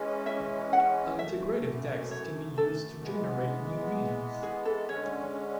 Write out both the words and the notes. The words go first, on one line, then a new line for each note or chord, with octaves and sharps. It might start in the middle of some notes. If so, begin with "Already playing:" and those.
An integrative text can be used to generate new meanings.
Already playing: E3 G#3 C#4
E5
F#5
F#2 E3 A3 E5
C#5
A4
E3 G#3 B3
G#4
A4
D3 G#3 C#4 C#5